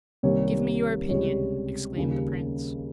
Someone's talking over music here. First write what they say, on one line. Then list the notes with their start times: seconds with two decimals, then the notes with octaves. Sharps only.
"Give me your opinion," exclaimed the prince.
0.23 C2 C3 D#3 G3 A#3 C#5
1.09 C#2 C3 G3 C#5
1.96 D#2 C#3 G3 A#3